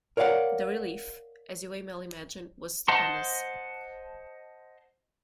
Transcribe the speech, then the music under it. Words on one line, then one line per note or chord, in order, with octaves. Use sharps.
The relief, as you may well imagine, was stupendous.
A#4 C#5 D5 F5 F#5
C5 D#5 F#5 A5 C6